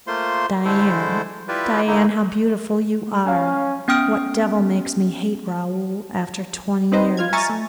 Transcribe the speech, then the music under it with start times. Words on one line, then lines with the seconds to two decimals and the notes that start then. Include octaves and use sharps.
Diane, Diane, how beautiful you are!... What devil makes me hate Raoul after twenty years?
0.07 A3 A#3 F4 C5 C6
0.65 D3 G#3 A3 E4 A4 C5
1.48 E4 F4 G4 B4 D5 E5
1.87 D3 A3 A#3 D#4 E4
3.27 C#4 F5 G#5
3.88 B3 C#4 G5 D#6 F6 D7
6.92 C4 D#4 B4 C5 D#5
7.17 F4 F6 G#6
7.33 E5 G#5 A#5 C#6 F6 A6
7.49 A3